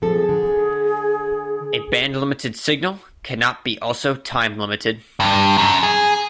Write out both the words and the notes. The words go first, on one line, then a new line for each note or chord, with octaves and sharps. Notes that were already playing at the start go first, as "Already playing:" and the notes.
A bandlimited signal cannot be also timelimited.
F3 C4 G#4 A4
D3
G2
F#2
G#4